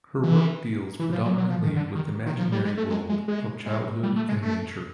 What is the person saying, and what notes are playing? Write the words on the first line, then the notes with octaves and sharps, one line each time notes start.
Her work deals predominately with the imaginary world of childhood and nature.
E3
E3
F3
F#3
F#3
F3
D#3
D3
D#3
D#3
F3
G3
G#3
A3
G#3
G#3
G#3
G#3
G3
A3
G#3
A3